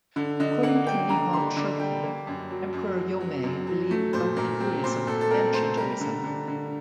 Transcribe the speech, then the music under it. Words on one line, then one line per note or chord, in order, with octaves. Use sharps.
According to Nihon Shoki, Emperor Yomei believed both in Buddhism and Shintoism.
D3
D3 D#5
A#3 F#5
A#3 G5
D3 A#5
G3 C6
D3 D6
G3 G5
A#3
F#2
F#3
F#2
F#3
F#3
F#2
F#3
A3
A#2 C5
A#2 A#4
C4
A#2 C5
A#2 A4
A4
C4 A#4
A3 C5
G3 A#4
D3
D3
D3